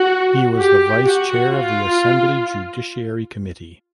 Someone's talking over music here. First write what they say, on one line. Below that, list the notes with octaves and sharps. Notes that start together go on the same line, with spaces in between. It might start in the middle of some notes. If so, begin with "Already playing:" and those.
He was the Vice Chair of the Assembly Judiciary Committee.
Already playing: F#4
G4
F#4
F4